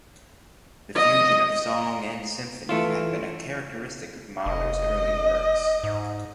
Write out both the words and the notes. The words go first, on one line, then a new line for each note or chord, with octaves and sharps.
The fusion of song and symphony had been a characteristic of Mahler's early works.
D#5
E3 A3 E4 F4
F1 D#5
G#2